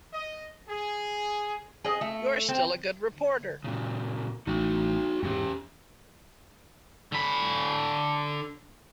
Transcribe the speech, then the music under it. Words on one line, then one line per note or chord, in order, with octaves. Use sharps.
You're still a good reporter.
D#5
G#4
G#4 D#5
A3
C4
A#2 C#3
A1 D#4 F#4 F#5
E2 G#2 C#4 G4
D3 B5